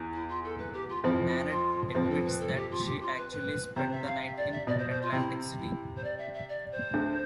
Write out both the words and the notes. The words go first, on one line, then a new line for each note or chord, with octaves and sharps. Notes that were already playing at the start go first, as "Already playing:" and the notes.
Nanette admits that she actually spent the night in Atlantic City.
Already playing: E2 E3
E4
F4
A4
B4
G4
F4
F2 F3 E4
F4
F2 F3
B4
A4
B4
A4
G4
F4
G4
F4
B4
B4
C3 C5
E5
F5
E5
D5
E5
B2 D5
C5
C5
F4
C3 E4
E4
C5
D5
E5
E5
D5
C5
D2 D3